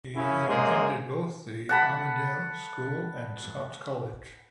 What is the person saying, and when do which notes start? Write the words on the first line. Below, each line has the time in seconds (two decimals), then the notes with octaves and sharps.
He attended both The Armidale School and Scots College.
0.16 F#2 C#3 F#3 C#4 E4
0.48 F#2 G#3 A#3 G#4 C5
1.69 F#5 A5 B5